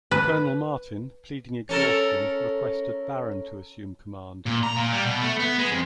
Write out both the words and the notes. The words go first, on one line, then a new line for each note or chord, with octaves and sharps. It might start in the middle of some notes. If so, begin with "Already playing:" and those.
Colonel Martin, pleading exhaustion, requested Barron to assume command.
B4
C#4 A4 A#4
A#2
A#5
A#2
G3
B2
A3
B3
G#3
F2